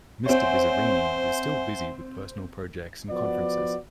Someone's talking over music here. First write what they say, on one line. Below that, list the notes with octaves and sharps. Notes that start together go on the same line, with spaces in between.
Mr Bizzarrini is still busy with personal projects and conferences.
C4 C5 C#5 E5 F#5 G#5
F3 B3 F#4 D5